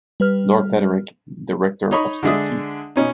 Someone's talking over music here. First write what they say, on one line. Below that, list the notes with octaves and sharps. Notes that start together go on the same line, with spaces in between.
Lord Frederick, the Rector of Stiffkey.
G3 B4 F6
D#4 C#5 D#5 B5 C#6
D3 G#3 D4 E5 D#6
B2 C#4 D#4